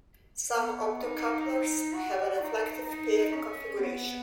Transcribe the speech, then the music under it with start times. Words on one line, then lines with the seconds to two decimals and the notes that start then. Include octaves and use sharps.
Some optocouplers have a "reflective pair" configuration.
0.56 B3
1.02 D#4
1.94 F#4
2.40 D#4
2.87 D#4
3.33 C#4
3.79 B3